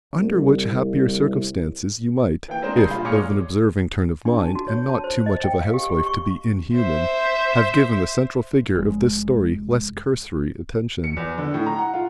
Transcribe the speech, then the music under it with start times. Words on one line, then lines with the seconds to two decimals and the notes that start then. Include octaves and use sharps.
Under which happier circumstances you might--if of an observing turn of mind and not too much of a housewife to be inhuman--have given the central figure of this story less cursory attention.
0.18 C2
0.71 C2
2.48 E3 A#3 G5
2.62 G#3 C4 D4 A#4 C5
2.76 D3 G3 D#5 B5 G6 C7
2.90 A#2 F4 B5
3.05 A#2 G#3 C#5 D6 F6 C#7
4.25 D4
4.38 A5
4.55 F#4
4.68 C#5
4.89 A5
5.04 C5
5.26 D#5
5.44 G5
5.61 F5
5.74 G4
5.90 G4
6.06 C#6
6.75 C5 E5
8.75 F1 G#3
11.04 C#7
11.17 E2
11.38 D3
11.54 A2
11.66 A#5
11.79 F#5
11.93 F4